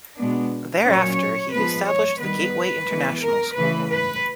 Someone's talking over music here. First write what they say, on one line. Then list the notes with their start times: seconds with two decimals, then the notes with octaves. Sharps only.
There after he established the Gateway International School.
0.18 B2 G#3 B3 D4
0.85 A#2 F#3 A#3 C#4 C#5
1.52 F3 G#3 B3 B4
1.87 C#5
2.20 D#3 G3 B3 B4
2.88 E3 G#3 B3
3.22 A#4
3.55 C#3 E3 A3 B4
3.90 B4